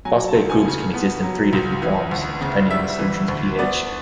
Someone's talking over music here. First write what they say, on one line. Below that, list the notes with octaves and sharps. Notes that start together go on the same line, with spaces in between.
Phosphate groups can exist in three different forms depending on a solution's pH.
F#3 G#5
A5
C#2
G#5
C#3
B3
F#3
C#2
E3
D2
C#3
G3 E5
E3
D2
B3 D5